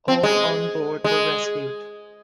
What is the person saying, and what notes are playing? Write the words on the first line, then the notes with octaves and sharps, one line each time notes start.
All on board were rescued.
C4
G#3
G#3